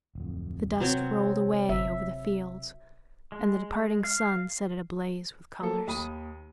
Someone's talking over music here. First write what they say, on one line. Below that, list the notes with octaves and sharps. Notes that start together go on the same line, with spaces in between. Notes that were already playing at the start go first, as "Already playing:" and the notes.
The dust rolled away over the fields and the departing sun set it ablaze with colors.
D1 F2
C3 F#3 B3 C4 C#5
G1 E5
G#3
F5
F#3 A#3 A4
D#2 B5 D#6 D#7